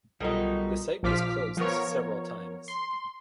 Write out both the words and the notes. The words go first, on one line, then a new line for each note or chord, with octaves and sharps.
The site was closed several times.
B1 B2 G3 D#4 F4 A4 A#4
A#1 F3 D6 F6 B6
F3 B3 A#4 C#5
C6